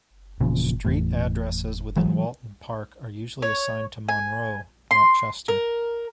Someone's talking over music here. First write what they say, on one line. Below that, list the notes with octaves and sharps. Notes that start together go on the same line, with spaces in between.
Street addresses within Walton Park are usually assigned to Monroe, not Chester.
E2 A#2 C#3 F3
E2 A2
E3 F#3 G#3
C#5
G#5
C6
A#4